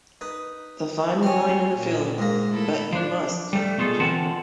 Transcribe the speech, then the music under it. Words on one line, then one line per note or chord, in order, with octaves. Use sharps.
The final line in the film But you must, Jim.
D#4 B4
C4 C#4 C#5
A#2
G#2 A#3
A3 E4 A4
F3 D4
G3 A3
B2 A3 F4 G#4 A4
D3 E3 C4 F4 F#5 A5